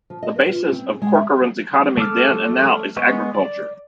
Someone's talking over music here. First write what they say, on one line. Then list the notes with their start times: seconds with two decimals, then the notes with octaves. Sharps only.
The basis of Corcoran's economy then and now is agriculture.
0.10 F3
0.23 D#5
0.36 B4
0.49 F4
0.72 C4
0.89 G#4
1.02 G#3
1.14 E5
1.97 A3 A4 D6 F6
2.97 G#3 B3 D#5 C#6
3.35 D5